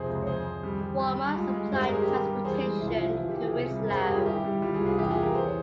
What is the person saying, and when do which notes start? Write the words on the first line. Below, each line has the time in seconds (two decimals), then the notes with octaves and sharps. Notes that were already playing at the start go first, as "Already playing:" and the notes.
Walmart supplied the transportation to Winslow.
Already playing: F2 C3 G#4 C5
0.08 C#2
0.22 C#5
0.27 F2 G#4 C5
0.45 F2
0.63 G3
0.81 G3
0.99 G3
1.18 G3
1.36 G#3 F4 G#4
1.54 G#3
1.72 G2 C5
1.82 A#4
1.90 G2 G#4
2.02 G4 A#4
2.08 G3
2.26 G3
2.44 E2 G#4 C5
2.63 G#3
2.81 C2 E4
2.88 F4
2.94 F3 E4
3.17 E3 F4
3.29 E4 G4
3.35 E3
3.41 F4 G#4
3.53 C3
3.71 G3
3.79 A#4
3.89 G2 G#4 C5
4.02 G4 A#4
4.08 G2
4.14 F4 G#4
4.26 G3 E4 G4
4.44 G3
4.62 G3 F4
4.74 F4 G#4
4.80 C2
4.86 F4 G#4
4.98 E2 E4 G4
5.10 F4 G#4
5.17 E2
5.22 G4 A#4
5.35 E3 G#4 C5
5.46 C#5